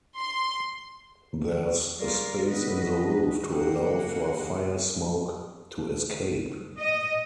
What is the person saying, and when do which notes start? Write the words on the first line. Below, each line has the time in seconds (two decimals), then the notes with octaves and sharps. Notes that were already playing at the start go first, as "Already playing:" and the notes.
There's space in the roof to allow for fire smoke to escape.
0.18 C6
1.99 G3 F4 G#4 A#4 D5
2.49 D#3 B3 B4 D#5
3.09 D4 E4 G#4
3.50 A#3 G4 A#4 F#5
3.85 C#3
4.34 G4 D#5
6.79 D#5